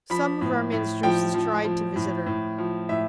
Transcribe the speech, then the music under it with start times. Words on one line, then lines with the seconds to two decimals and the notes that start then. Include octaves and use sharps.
Some of our ministers has tried to visit her.
0.10 F3 B5
0.41 A2
0.72 A2
1.03 F3 G5
1.34 F3
1.65 F3
1.96 A2
2.27 A2
2.58 F3
2.89 A2 E5